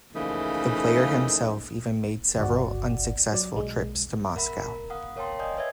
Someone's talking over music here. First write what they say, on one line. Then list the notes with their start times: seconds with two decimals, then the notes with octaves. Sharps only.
The player himself even made several unsuccessful trips to Moscow.
0.15 C#3 E3 F3 A3 A#3 D#4
2.37 G1 C#2 F#4 D5
3.33 F#3 D5
3.55 B1 G#3
4.36 A#4 E5 F#5 B5
4.61 A#4
4.90 F5 F#5 D#6
5.16 A#4 C#5 F5 G5 A5 C6
5.39 D5 D#5 F5 G#5 D#6 G6
5.57 B4 C#5 E5 G#6